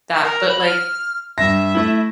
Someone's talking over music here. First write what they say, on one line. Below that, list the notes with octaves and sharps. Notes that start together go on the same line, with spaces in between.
that, but, like
A#4
B5
F6
G2 E5 A#6
A3 E4